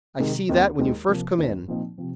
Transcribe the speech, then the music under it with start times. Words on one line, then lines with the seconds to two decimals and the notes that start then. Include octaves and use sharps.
I see that when you first come in.
0.19 C3 D#3 G#3
0.49 D#2 D#3 C4 D#4
0.78 D#2 D#3 G#3
1.08 C3 F3 A#3
1.38 D#2 D#3 C4 D#4
1.68 A#2 F3 C4 D#4
1.98 C3 F3 C4